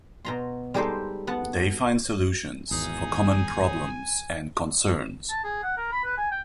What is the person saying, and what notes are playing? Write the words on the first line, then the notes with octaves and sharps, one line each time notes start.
They find solutions for common problems and concerns.
B2 A#5 C6
G3 G#3 D#4 G4 A4 C5
B3 F#5 A5
G#1 E2 D#4 G#4 G#5 D#6
A5
G#4
F#5
A#4
B5
B4
G#5
G5